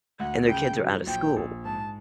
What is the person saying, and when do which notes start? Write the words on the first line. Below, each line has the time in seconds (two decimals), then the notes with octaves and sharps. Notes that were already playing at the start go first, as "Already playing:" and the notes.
and their kids are out of school,
0.20 D2 F#5
0.48 C#3 G5
0.78 F#3
1.07 A#1 G5
1.36 A#1
1.65 G#2 A5